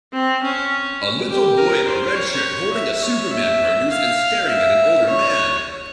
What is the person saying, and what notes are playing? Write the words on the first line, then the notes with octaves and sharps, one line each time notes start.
A little boy in a red shirt holding a superman produce and staring at an older man.
C4
C#4
G4
A#4
C5
C#5
E5
C#5
E5
F5
E5
C#5